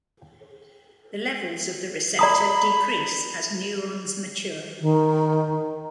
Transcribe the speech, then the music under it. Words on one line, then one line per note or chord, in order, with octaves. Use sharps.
The levels of the receptor decrease as neurons mature.
D5 A#5 B5 D#6
D#3